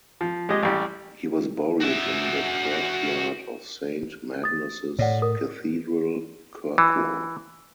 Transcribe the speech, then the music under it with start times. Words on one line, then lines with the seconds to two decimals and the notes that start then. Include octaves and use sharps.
He was buried in the kirkyard of Saint Magnus' Cathedral, Kirkwall.
0.21 F3
0.49 G#3 G4 D#5
0.63 A1 G3
1.82 F#4 E5
4.44 D#6 A6
4.99 A2 C#5 D5 F#5
5.22 A#4 D#6
6.78 E3